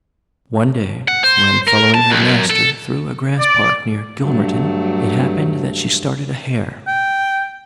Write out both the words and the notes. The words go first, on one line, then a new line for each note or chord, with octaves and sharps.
One day, when following her master through a grass-park near Gilmerton, it happened that she started a hare.
F#5
C5
A#4
A5
C2
F#2
A4
D5
G2 F#3 A3
G5